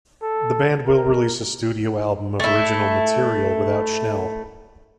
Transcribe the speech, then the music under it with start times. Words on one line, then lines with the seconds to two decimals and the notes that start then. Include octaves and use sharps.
The band will release a studio album of original material without Schnell.
0.22 A4
0.86 A#4
2.40 A3 E4